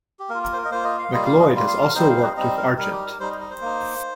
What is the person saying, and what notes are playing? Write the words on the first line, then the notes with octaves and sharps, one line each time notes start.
MacLeod has also worked with Argent.
G4
A#3 A#4
F4
A#4
C5
A#4
D#5
A#3 F4 C5
D#5
F5
G3 A#3 F4 D#5
F5
D#5
G3 A#3 F4
F5
A#4
G3 C4 D#4 C5
F5
C5
D#5
G3 C4 D#4 D#5
A#4
G3 D#4 A#4
G4
A#4
G3 D#4 C5
D#5
D#5
C5
A#3 D#4